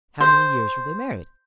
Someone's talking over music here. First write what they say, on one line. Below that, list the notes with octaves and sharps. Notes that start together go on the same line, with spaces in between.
"How many years were they married?"
C5